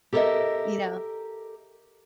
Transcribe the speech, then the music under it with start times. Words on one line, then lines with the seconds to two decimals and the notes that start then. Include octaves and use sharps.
You know?
0.13 G4 A4 A#4 C#5 D#5 E5